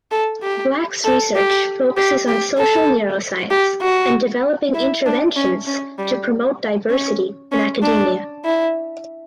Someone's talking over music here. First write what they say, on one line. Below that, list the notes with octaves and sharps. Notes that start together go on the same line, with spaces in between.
Black’s research focuses on social neuroscience and developing interventions to promote diversity in academia.
A4
G4
A4
G4
G4
G4
A4
G4
F#4
E4
D4
C#4
C#4
G3
C#4
C#4
D4
E4